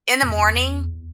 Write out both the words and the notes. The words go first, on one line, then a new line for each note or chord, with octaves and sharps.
in the morning,
E2